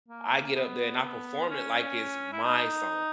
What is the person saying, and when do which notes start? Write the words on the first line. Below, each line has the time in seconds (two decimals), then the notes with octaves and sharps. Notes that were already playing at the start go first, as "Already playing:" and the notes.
I get up there, and I perform it like it's my song.
0.08 A#3
0.56 B3
1.50 C#4
2.33 E4
2.44 D#4